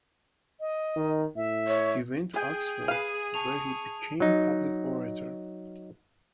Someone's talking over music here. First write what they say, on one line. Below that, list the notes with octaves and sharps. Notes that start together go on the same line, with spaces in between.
He went to Oxford, where he became Public Orator.
D#5
D#3
A2 E5
C#5
G#4 G5 G#5
B4 F5 D#7
A5 C#6 F7
F#3 D#4